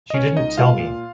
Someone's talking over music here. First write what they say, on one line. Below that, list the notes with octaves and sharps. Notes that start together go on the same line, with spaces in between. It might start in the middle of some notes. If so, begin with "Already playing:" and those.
She didn't tell me.
D#5
C#2 C#4 C#5
C#2 D#4 D#5
G#3 F4 F5
A#2